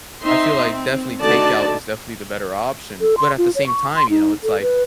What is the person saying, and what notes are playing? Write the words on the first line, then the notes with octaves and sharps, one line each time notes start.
I feel like definitely takeout is definitely the better option, but at the same time, you know, it's like
C4 D#4 E5 C6
C4
D3 A3 D#4 F#4 D5 A5
A4
C6
F4
C#5
C#6
C6
D#4
A4
B4